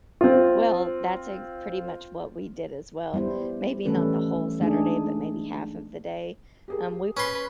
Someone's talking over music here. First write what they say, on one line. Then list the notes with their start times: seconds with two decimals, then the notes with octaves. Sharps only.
Well, that's ex pretty much what we did as well maybe not the whole Saturday, but maybe half of the day um, we
0.21 C4 F4
3.14 G3 B3 E4 C5
3.85 E3 G3 A3 C#4 A4 B4
4.61 G#3 A3 D4 D#4 G#4
6.68 G4 G#4 A#4
7.17 C#4 B4 C6